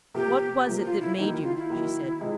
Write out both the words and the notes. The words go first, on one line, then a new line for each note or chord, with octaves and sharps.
"What was it that made you?" she said.
C3 F3 A#3 G4
C3 F3 A#3
F4
E4
D#3 F#3 A#3 D#4
E4
F4
E4
D#3 F#3 A#3
C3 F3 G#3